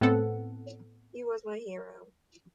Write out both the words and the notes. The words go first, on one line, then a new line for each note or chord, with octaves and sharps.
He was my hero.
A2 B3 C4 A4 F#5